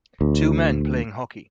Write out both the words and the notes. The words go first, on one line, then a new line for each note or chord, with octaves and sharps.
Two men playing hockey.
D2